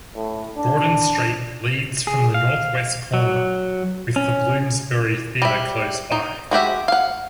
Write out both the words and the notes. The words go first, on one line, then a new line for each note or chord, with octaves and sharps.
Gordon Street leads from the north-west corner with the Bloomsbury Theatre close by.
A2
D4
G#4
F5
F#3
C#4
G3 E5
D#4
G#3 F#4 G4 E5
F5 F#5